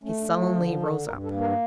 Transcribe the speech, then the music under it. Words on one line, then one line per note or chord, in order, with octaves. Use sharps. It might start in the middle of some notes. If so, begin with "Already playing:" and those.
He sullenly rose up.
A3 C#4
D4
F3
E4
D3 D4
D3 A4
G2 A#4
A4
A#3
A#4